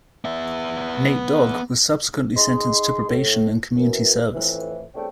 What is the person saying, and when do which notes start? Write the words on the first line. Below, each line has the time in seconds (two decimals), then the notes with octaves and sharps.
Nate Dogg was subsequently sentenced to probation and community service.
0.25 B3 E5
2.36 D#4 G#4 D#5 C6
3.09 A2
3.76 F#2 E3
4.34 F2 A2 E3
4.95 E2 C3 A3 D4 C#5 G5